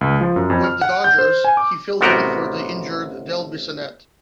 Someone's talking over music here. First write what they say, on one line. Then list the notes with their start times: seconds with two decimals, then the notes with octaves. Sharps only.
With the Dodgers, he filled in for the injured Del Bissonette.
0.01 C#2
0.21 F3
0.36 F#2
0.50 F2
0.64 F6
0.81 F#5
1.04 G6
1.19 C5
1.45 G#5
1.57 D6
2.01 A1 C3 B3 F#4 A#4 G5